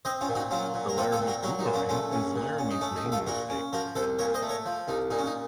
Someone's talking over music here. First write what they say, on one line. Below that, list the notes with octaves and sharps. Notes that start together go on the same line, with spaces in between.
The "Laramie Boomerang" is Laramie's main newspaper.
C4 C5 D#5
C#4 F4
A#2
D#4 F#4
F#3 C#4 F4
A#2
A#4
C4 F4 A4
F4 A4
A#2
F#4 A#4
F#3 F#4 A#4
D#4
A#2
C#4 F4
A3 C#4 F4
A#1 C#4
A#2
C#4
D#4
A3 C#4
D#4
A#1
F4 A4
A#2 F#4 A#4
C#4
F3 F#4 A#4
C2 A4 C5
A#2 A#4 C#5
C5 D#5
A3
A#4 C#5
F3
C2 D#4
A#2 D#4
C#4
D#4